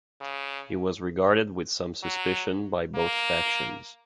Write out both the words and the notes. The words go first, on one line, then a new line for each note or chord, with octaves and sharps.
He was regarded with some suspicion by both factions.
C#3
F#3
A#3